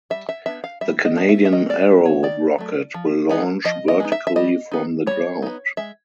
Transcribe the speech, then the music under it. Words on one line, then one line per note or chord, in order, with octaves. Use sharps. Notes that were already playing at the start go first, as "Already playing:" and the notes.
The Canadian Arrow rocket will launch vertically from the ground.
G3 E5
E5
B3 D4 E5
F5
G3 E5
D#5
B3 D4 D#5
E5
E5
D#3 D#5
D5
F#3 A3
C#5
D#3 D5
F#3 A3
F3
G#3 B3 D#4
F3 D#5
D#5
G#3 B3 D#4
E5
E5
G3 D#5
B3 D#4
G3 C#5
B3 D#4
G#3 E5